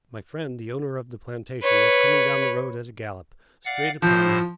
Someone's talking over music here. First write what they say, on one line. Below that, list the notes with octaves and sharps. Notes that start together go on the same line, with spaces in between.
My friend the owner of the plantation was coming down the road at a gallop, straight upon me.
B4 C#5
D5 F5 F#5
A2 F3 C5 G6